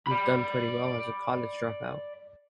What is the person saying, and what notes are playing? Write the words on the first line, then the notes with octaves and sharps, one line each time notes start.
You've done pretty well as a college dropout!
D5 B5